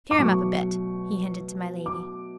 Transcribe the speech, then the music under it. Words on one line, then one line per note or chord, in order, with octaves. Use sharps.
"Cheer 'em up a bit!" he hinted to my Lady.
D6
B2 F#3 A3 C#6
D6